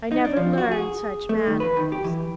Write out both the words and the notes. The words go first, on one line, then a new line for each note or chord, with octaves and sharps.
I never learned such manners.
D#4
D4
F3
F#4
G#4
A3
D#3
B4
D#3
G4
E3